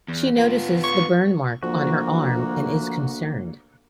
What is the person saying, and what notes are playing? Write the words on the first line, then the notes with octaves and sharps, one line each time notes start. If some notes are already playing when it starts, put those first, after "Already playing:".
She notices the burn mark on her arm and is concerned.
E2
B3 F4
C#6
D2 F3 A#3 F#4